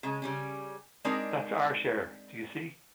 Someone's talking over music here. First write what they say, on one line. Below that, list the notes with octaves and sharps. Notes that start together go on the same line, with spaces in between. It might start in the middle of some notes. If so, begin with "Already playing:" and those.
That's our share, do you see?
C#3 G#3
C#3 G3 C#4
G#3 C4 D4 D#4 A#4 D5